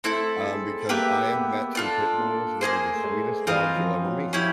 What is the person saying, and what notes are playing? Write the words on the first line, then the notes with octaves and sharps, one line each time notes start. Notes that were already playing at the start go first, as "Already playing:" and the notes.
Um, because I have met some Pit Bulls that are the sweetest dogs you'll ever meet.
A3 C4 E4 A4
G#3
A#3 G4 B4 E5 G5
B3
D4 F4 A4
A#3
A#3 D#4 G#4 C5
A3
G#3
E3 C4 F4 A#4 D#5
F3
F#3
F3 C#4 E4 G4